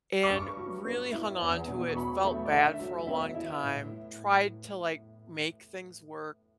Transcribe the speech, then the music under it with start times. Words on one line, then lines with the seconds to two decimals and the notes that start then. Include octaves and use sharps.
and really hung onto it, felt bad for a long time, tried to, like, make things work
0.23 D6
0.29 G2 C#6
0.57 F#3
0.85 B3
1.12 E4
1.41 E2
1.68 B2
1.89 C#6
1.96 F#3 B5
2.24 A3
2.46 D5
2.52 D3 E5
2.79 F#3
3.07 B3 E5
3.35 E4
3.64 A2